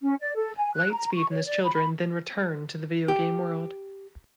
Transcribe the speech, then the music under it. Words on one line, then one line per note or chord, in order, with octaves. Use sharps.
Lightspeed and his children then return to the video game world.
C#4
D5
A4
G#5
F#6
A#5
C#6
C#5
D5
B5
G4